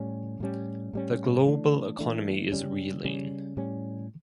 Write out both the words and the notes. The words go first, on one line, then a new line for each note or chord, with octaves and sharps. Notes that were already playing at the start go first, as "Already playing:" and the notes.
The global economy is reeling.
Already playing: A2 G3 C#4
A2 G3 C#4
A2 G3 C#4
E3 A3 D4
E3 A3 D4
C#3 G3 C#4
C#3 G3 C#4
A2 G3 C#4